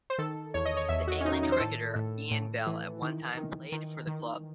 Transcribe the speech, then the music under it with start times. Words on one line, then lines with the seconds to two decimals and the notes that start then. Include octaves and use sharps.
The England cricketer Ian Bell at one time played for the club.
0.10 C5
0.19 D#3 A4
0.54 E2 C#5
0.65 D#5
0.77 C#5
0.89 E2 E5
1.08 F#4
1.21 C#4
1.25 D#3 D#4
1.43 D#4
1.52 C5
1.60 A2 A4
1.95 A2
2.31 A2
2.67 E3
3.02 D#3
3.37 D#3
3.72 D#3
4.07 D#3